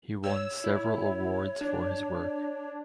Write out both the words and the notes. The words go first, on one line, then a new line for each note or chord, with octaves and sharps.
He won several awards for his work.
C#5 E6
E4
D4